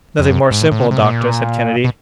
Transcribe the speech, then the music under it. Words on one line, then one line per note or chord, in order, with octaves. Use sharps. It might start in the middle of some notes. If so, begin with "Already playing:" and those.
"Nothing more simple, doctor," said Kennedy.
F2
F#2
G#2
A2
A2
C3
C3
A#2
B2